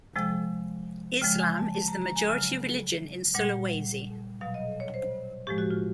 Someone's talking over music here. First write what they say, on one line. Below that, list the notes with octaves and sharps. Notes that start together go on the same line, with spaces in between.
Islam is the majority religion in Sulawesi.
C3 F3 G#3 G5
C#3 F3 G#3 G5
G#5
A5
A5
A#5
A#5
G#5
C#3 F#3
A#2 G3 F#5
B2 F#3 F5
D#5
C#5
C5
A2 F3 G#3 G4
F#4
F4